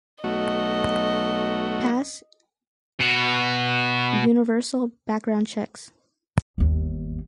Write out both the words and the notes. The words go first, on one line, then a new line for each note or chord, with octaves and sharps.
Pass universal background checks.
B1 A3 F#4 D#5
B2 F#4
G1 D#2